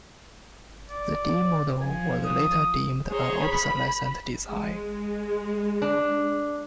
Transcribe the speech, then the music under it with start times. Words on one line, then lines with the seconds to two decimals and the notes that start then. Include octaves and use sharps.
The "D" model was later deemed an obsolescent design.
0.90 D5
1.82 F3 G#5
2.25 D#6
3.10 G#4 C5 C#5 A#5
3.43 B5
4.51 G#3
5.82 D4